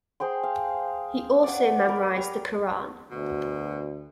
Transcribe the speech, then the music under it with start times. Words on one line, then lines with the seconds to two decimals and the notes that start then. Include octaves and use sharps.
He also memorised the Qur'an.
0.20 G#4 C5 G5 C6
0.43 F5
1.44 D5 F#5
1.89 A#4 B4 B5
2.16 G4 A#5
3.11 D2 B2